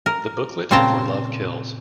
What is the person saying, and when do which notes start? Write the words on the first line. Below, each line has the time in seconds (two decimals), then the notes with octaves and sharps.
The booklet for Love Kills!
0.06 A#4
0.71 A#2 C#3 C4 G5 A5 A#5